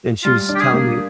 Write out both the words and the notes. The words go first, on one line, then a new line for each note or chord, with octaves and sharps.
and she was telling me
G3 F4
D4
G4
G#4
A#3